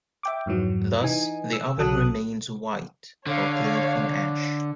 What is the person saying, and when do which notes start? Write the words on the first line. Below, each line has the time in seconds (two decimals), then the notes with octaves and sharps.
Thus, the oven remains "white", or clean from ash.
0.23 E5 G5 D6
0.46 F2 G#2 E3 F#3
1.01 E3 D#4 G#5
1.53 E6
1.78 B1 F#3 A4 D#6 F#6
3.27 D3 C#5 F5